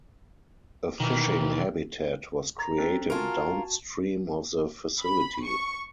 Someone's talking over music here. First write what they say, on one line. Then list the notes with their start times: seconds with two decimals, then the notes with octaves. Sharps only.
A fishing habitat was created downstream of the facility.
1.00 B2 D#3 E3
2.59 A#5
2.78 C4 D4 A4
3.10 F4 F#4 A#4 G#5 A5
5.01 B5
5.43 C#6